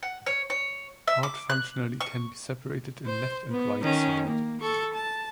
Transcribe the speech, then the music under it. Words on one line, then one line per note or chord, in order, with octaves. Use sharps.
Heart functionally can be separated in left and right side.
F#5
C#5
C#5
E5
D6
F#6
C#6
C5
B3
D#3 C#4
A#3
A4 C#6
A5